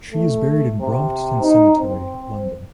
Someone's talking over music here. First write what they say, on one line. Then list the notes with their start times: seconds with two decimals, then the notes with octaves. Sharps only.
She is buried in Brompton Cemetery, London.
0.12 A3
0.81 C3
1.42 D#4
1.79 C4